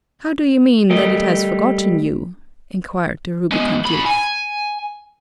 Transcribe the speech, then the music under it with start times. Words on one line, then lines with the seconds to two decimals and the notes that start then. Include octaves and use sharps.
"How do you mean that it has forgotten you?" inquired the rubicund youth.
0.90 G3 A3 A#4 D#5
3.52 G#3 B3
3.85 G#2 B5
4.06 G#5